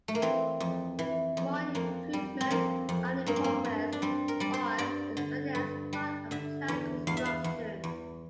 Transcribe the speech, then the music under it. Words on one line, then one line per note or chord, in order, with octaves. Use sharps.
More improvements are in progress or expected as part of planned construction.
A3
A#3
E3 C4
F2
E3
F2
F2 A#3
G3
C4
F2 A#3
F2
G2 A#3
C4
A#3
G2
D4
G3 C4
A#4
G3 D5
C5
G2 D5
D3
G2
G3
D3 E5
E2
E2 F5
E5
F5
E2
E2